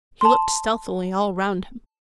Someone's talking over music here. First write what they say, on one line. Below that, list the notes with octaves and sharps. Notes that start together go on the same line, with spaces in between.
He looked stealthily all round him.
A5 C6